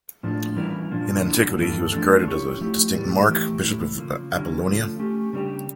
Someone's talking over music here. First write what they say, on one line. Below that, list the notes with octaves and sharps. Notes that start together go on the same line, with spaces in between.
In antiquity he was regarded as a distinct Mark, Bishop of Apollonia.
A2 F3 A#3 D4
E3 G3 C#4 E4 A#4
A#2 F3 A#3 D4
D3 F3 A#3 E4
G2 E3 A#3 E4 A4
F3 A3 D4 A4
F3 C#4 E4 G4 C#5
F3 A3 E4 G4
A2 E3 G3
E3 A3 E4 G4 A#4
A2 E3 A3 E4
C#3 F3 A#3
D3 G3 C#4 E4 A#4
C#3 F3 A3
A3 C#4 G4
C#3 G3 A#3 D4 G4